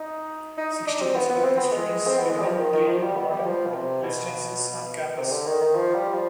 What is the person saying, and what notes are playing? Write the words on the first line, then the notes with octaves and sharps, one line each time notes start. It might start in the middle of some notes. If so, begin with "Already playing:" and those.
Sixty percent of the students live in three modern residences on campus.
Already playing: D#4
D#4
D#4
D4
C4
B3
B3
C4
B3
G#3
C4
B3
G#3
G3
F3
D#3
D#3
F3
G3
B3
G3
F3
B2
C3
B2
C3
D3
D#3
D#3
F3
G3
F3